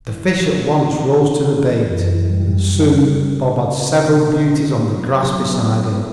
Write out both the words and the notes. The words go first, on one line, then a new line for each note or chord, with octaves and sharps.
The fish at once rose to the bait, and soon Bob had several beauties on the grass beside him.
E3
E3
E3
E3
F#2
G3
C#3
C#3
B2
B2
B2
F#3
B3
B3